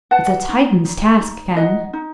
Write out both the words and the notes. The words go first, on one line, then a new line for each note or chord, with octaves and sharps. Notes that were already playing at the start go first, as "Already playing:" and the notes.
"It's a Titan's task, Ken."
B4 F#5 A5
D#4
D#4
D#4
D#4 D#5 F#5
D#4